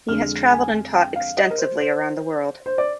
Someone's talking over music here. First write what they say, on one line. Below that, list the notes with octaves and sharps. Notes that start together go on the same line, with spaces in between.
He has traveled and taught extensively around the world.
F2 D3 G#3 F6
G#5
G5
F5
D#5
A#4
C5
C5
C5
D5